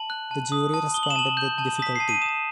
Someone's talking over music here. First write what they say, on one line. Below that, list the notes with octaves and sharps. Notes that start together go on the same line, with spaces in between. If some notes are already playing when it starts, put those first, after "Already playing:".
The jury responded with difficulty.
Already playing: A5 F#7
F#6
A5
D#6
A5
D#6 G7
F#7
E7
A5 F#7
G6
A5
D#6 B6
A5 C7
D#7
D#6 E7